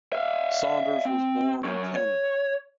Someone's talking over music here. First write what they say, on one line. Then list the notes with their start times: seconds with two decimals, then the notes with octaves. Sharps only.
Saunders was born in Canada.
0.13 E5 F5
1.05 C4
1.65 F#3 C#4
1.96 C#5